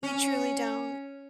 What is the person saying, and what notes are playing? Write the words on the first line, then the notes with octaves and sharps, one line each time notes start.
They truly don't.
C#4